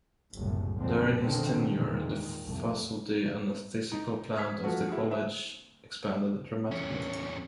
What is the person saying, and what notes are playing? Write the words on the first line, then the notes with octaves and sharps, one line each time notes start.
During his tenure, the faculty and physical plant of the college expanded dramatically.
F#1 C2 A2
F#1 F2 A#2 D3 G#3 C4
B2 D3 D#3 G#3 C4
E2 A#2 D#3 G#3
C2 F2 A3
D#4
D#6 F6 G#6 B6
F3 F#3 A3 F#4
E4 F#4 G#4
E5
E2 C#4